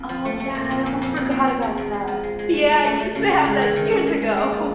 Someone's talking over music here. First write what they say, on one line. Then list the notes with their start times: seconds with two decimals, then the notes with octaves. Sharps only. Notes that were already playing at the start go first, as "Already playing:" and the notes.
Oh, yeah, I almost forgot about that. Yeah, I used to have that years ago.
Already playing: F2
0.09 F3
0.25 A3
0.40 A3
0.55 A#2
0.71 F2
0.86 F2
1.02 F2
1.17 F2
1.31 C4
1.48 B2
1.62 E2
1.78 E2
1.93 G#3
2.08 F3
2.23 G#3
2.39 G#3
2.53 A3
2.68 A3
2.85 A3
3.00 A3
3.15 C#3
3.30 C#3
3.45 G#3
3.61 E3
3.76 D#3
3.92 C#4
4.07 G#3
4.21 G#3
4.37 A#3
4.53 F3